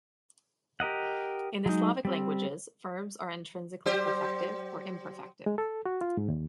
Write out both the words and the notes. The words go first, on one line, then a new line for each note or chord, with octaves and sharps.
In the Slavic languages, verbs are intrinsically perfective or imperfective.
G4 A#4 D#5 F#5
F#3 G#3 D#4
G3 C4
F#3 G4 C5
G#3
A4
F#4
F4
G#2
D#2